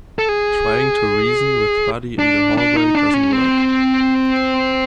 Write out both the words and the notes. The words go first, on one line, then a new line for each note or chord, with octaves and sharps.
Trying to reason with Buddy in the hallway doesn't work.
A4
G#4
D4
D4
D#4
D4
C#4
C4